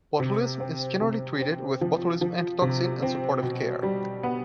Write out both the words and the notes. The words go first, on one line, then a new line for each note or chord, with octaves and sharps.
Botulism is generally treated with botulism antitoxin and supportive care.
C3
C4
C3
C4
F3
F3
C3
C4
B2
G3
B3